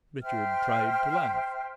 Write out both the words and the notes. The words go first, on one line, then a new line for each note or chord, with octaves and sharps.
Richard tried to laugh.
C5 E5 G5 F6